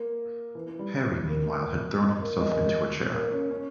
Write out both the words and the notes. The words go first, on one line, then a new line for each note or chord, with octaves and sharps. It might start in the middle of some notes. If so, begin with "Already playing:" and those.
Harry meanwhile had thrown himself into a chair.
Already playing: A#3
E3
E3
G3
A#3
G#3
A#3
G#3
A#3
G#3
A#3
C#4
C#4